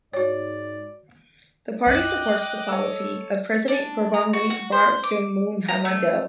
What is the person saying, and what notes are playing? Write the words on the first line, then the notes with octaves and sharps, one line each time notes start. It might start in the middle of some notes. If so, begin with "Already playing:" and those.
The party supports the policy of President Gurbanguly Berdimuhamedow.
G#2 F#4 C#5 D5
B1 F#2 D#5 G5 D6 F#6
A4 C#5 E6
D4
A#5
F#4
F#4
C5
D6
A#5
A3